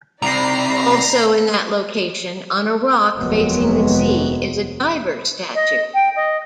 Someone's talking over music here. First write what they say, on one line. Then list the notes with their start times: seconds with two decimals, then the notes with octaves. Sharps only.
Also in that location on a rock facing the sea is a diver statue.
0.22 C2 C3 D#4 D5 A#5 B5 C7
3.17 F1 D#2 C3 F#3 G#3 B3
5.55 D#5
5.94 G5
6.16 D#5